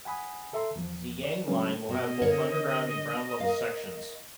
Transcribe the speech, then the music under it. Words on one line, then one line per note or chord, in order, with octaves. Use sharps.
Ziyang Line will have both underground and ground level sections.
F#5 G#5 B5 D#6
A4 E5 A#5 C6
E2 F3
D5
C#3 F#3 G#3 C#4 D4
B2 D#5
D3 A#4 C#5
A#4 F5